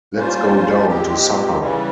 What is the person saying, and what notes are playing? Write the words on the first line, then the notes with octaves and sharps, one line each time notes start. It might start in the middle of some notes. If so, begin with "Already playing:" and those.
Let’s go down to supper.
G3 A#3 C#4 F4 C5
A#2 G#3 C4 G4
C#3 E3 G3